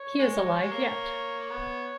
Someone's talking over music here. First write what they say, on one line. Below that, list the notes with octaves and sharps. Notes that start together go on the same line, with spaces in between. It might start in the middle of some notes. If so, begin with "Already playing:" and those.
He is alive yet.
Already playing: C#5
G#3
G#3
G#3
A#3
B3